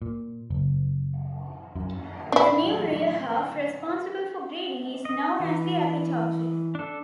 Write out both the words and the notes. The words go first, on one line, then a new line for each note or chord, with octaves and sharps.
The new rear half, responsible for breeding, is known as the epitoke.
A#2
F#1
F#2
D4 E4
D#5
E3
D4 A4